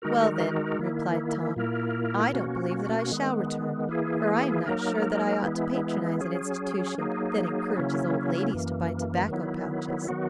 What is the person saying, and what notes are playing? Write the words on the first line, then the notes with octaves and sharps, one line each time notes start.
"Well, then," replied Tom, "I don't believe that I shall return, for I am not sure that I ought to patronize an institution that encourages old ladies to buy tobacco pouches."
D#3 G#3 D#4 F#4 A#4
D#3 A#3 E4
A#2 A#3 E4 A#4
B2 A#3 C#4 F#4
D#3 G#3 B3
E3 A#3 E4 G#4
F#3 A#3 D#4 A#4
E3 G#3 B3 E4
F#3 C#4 G#4
F#3 A#3 D#4 G#4
C#3 F#3 A#3 C#4 E4
F#2 E3 A#3
D#3 F#3 B3 E4
D#3 F#3 B3 F#4